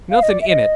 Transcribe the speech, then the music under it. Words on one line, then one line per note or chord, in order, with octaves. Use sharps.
Nothing in it?
F5
D#5
D5
E5
D#5